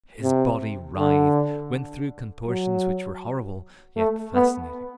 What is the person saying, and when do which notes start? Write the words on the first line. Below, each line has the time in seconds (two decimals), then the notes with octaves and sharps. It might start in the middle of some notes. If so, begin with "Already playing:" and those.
His body writhed, went through contortions which were horrible yet fascinating.
0.23 C3
0.98 D3
2.48 F#3
3.96 A3
4.34 B3